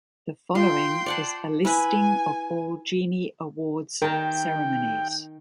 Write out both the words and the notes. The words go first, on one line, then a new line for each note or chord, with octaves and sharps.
The following is a listing of all Genie Awards ceremonies.
F4 G5 C6
D5 F#5 A5
E4 B4 G#5 B5
D#3 A#4 G5 A5 A#5